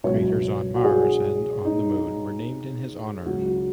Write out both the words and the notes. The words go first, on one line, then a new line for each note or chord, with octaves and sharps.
Craters on Mars and on the Moon were named in his honor.
C#2 B2 F#3 C#5
F#4
G#4
D#4
C#2 C#3 F#3 F#4
F#4